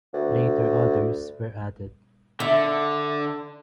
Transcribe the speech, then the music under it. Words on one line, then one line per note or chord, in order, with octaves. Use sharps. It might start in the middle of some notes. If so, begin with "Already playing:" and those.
Later others were added.
D2
D3 E5